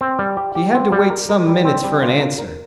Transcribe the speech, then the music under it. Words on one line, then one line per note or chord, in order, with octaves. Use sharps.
He had to wait some minutes for an answer.
C4
G3
G4
G4
C4
G3
A#4
A#4
G3
C4
G3
F4
A#4
A#4